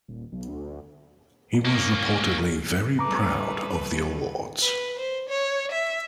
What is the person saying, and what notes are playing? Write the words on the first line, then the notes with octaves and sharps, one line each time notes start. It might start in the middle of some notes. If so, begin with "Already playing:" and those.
He was reportedly very proud of the awards.
D#1
B1
D2
A#3 C#4
G3 A3 B4 A#5 D6
B4
C5
C#5
E5